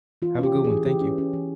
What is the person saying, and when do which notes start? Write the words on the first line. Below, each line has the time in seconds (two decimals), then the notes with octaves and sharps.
have a good one, thank you.
0.22 E3 F4
0.39 C#4 G4
0.55 E3
0.64 G#4
0.70 E3
0.85 E3 G4
1.01 C#4
1.18 C#4
1.33 E3